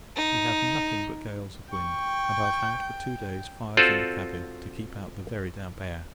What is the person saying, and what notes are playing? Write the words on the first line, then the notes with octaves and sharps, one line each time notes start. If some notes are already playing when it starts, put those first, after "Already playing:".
We have nothing but gales of wind; and I have had, for two days, fires in the cabin, to keep out the very damp air.
D#4
G5 C#6
C4 F4 F#4 A4 C5 D5